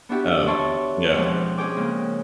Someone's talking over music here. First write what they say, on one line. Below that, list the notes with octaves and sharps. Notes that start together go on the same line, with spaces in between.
Um, yeah.
B3 D4 E4 F#4 G4
C#5 D5 E5 A5 C6 C#6
F2 B2 F3 G#3 D4
F2 C#4 G#4 G5 D6
A#2 C#3 G#3